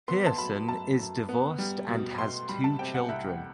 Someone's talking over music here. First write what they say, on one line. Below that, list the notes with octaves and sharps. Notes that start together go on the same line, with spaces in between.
Pearson is divorced and has two children.
B3 C6
A5
F#3 B5
F#2 A5
F#2
B3
G3
B2
B2 C6
G3 B5
A5
C3 G5
F#5
C2 E5